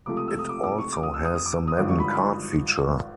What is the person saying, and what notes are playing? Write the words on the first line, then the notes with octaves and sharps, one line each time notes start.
It also has the Madden Card feature.
C#2 C3 F3 A3 D6
D#6
E6
D#6
D6
D6
C#6
D6
D#6
E6
D#6
D#6
D6
D#6
G#1 G2 D3 F3 D6
C#6
B5
B5
B5